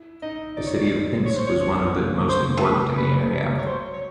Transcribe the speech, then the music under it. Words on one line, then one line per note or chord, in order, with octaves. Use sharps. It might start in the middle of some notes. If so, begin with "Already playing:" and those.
The city of Pinsk is one of the most important in the area.
Already playing: E4
D#4 D#5
D#4 D5
C#5
D5
C#5
C5
C#5
D4
C#4
B3
C4
A#3
C5
G#3 B4
G3 B4
G3
F#3
F#3
C#5
C5
C#5